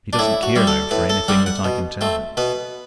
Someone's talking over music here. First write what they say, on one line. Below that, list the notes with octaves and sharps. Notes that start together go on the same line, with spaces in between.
"He doesn't care, now, for anything that I can tell him."
D4
A2 E4
F#4
G3 C4
A4
A2 B4
A4
G3 C4 F#5
F#5
B2
A3 C4
B2 B4